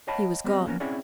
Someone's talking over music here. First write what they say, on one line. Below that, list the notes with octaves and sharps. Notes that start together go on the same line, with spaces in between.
He was gone.
C#5 D#5 F5 G5 A5 B5
G3 B3 C4 G4 D#5
F3 A#3 B3 C#4 A#4
C4 C#4 E4 G#4 D5 F#5